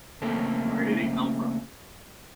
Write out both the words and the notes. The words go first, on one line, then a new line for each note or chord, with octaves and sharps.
Where did he come from?
C#3 A3 A#3 C4 C#4 A4